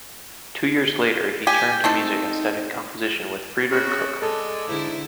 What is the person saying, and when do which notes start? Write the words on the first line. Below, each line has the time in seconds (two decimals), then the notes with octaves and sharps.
Two years later, he turned to music and studied composition with Friedrich Koch.
1.47 G4 G#5
1.84 A3 C4 D#4 A4
3.71 C#3 F#4
4.22 G#3 A4 D5
4.68 G#2 D3 E4